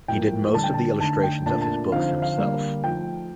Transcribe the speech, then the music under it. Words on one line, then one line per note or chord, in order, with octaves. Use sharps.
He did most of the illustrations of his books himself.
A2 F3 A#3 G5
D3 G3 D4 A5
G5
A5
D3 A3 D#4 A5
G5
A#2 A3 D4 A5
A5
D3 F3 C4 D#4 F5
F5
D3 G3 A#3
F3 A3 D#4 G5